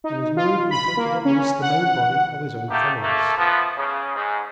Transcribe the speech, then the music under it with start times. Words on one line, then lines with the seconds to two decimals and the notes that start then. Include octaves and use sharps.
And his mood infected at least the main body of his own followers.
0.04 D#4
0.37 F4
0.71 B5
0.97 A#3
1.25 C#4
1.62 F#5
2.69 A3 A#3 D#4 G4
3.01 A3 A#3
3.37 F3 B3
3.77 C#3
4.15 G#2